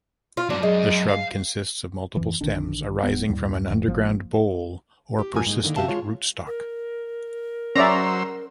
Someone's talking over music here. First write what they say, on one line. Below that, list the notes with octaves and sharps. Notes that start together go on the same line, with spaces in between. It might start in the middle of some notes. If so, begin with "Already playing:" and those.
The shrub consists of multiple stems arising from an underground bole or persistent rootstock.
F4
G2 F#3 D4
F#2 G#3
F5
F2 E3
A#1 D3 D#3 D4
D1 B3
D#2 A2 G3
F1 F2 E3
G#1 F3 A#3
G4
A#2 F3 A#4 G#5
G#2 G#3
D3 D#3 A3 A#3
C3 F#4 G4 E5 F5 A5
G#3 F4 C#5
A#4
F#3 C#4 C5 D5 E5 A#5 E6